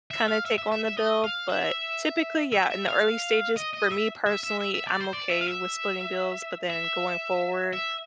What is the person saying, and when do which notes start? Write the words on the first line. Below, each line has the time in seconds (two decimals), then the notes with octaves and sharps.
kinda take on the bill, but typically, yeah, in the early stages, for me personally, I'm okay with splitting bills, but then going forward,
0.11 E5
0.28 F5
0.45 E5
0.58 E5
0.72 E5
0.84 E5
0.97 D#5
1.24 F5
1.49 E5
2.53 E5
2.71 E5
2.88 F5
3.57 D#5
3.74 D#5
3.92 E5
4.27 E5
4.44 E5
4.61 E5
4.74 E5
4.87 D5
5.00 C5
5.13 D5
5.31 E5
5.41 F5
5.48 E5
6.70 E5
7.73 E5